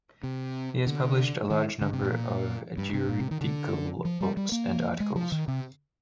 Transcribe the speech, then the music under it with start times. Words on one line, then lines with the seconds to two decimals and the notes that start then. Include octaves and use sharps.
He has published a large number of juridical books and articles.
0.23 C3
0.87 D3
1.50 D#3
1.81 D3
1.93 C3
2.03 A#2
2.77 G2
2.93 C3
3.09 A#2
3.20 C3
3.31 D#3
3.41 D3
4.05 F3
4.21 G3
4.37 G3
4.52 A#3
5.00 G#3
5.16 F3
5.32 D#3
5.48 C3